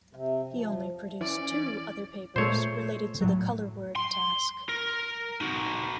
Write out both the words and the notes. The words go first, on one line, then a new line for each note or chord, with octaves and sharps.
He only produced two other papers related to the color-word task.
C3
F3
E3 C#4 D5
A#2 G#3 A3 C5 C#5
A2 F#3
C6
A#4
D#4 F#4